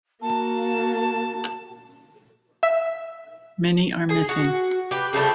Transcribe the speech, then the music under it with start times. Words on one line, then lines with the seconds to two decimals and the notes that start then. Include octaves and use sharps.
Many are missing.
0.22 A#3 F#4 A5
2.63 E5
4.09 G#4 G#5
4.29 F#4
4.91 G4 B4
5.13 C#3 F3 G3 A3